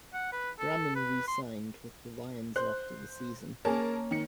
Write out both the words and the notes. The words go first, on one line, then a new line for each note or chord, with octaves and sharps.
Graman re-signed with the Lions after the season.
F#5
B4
A4
B4
C6
C5 F#6
A#3 C#4 G#4 A#4 A5
D#3 C#7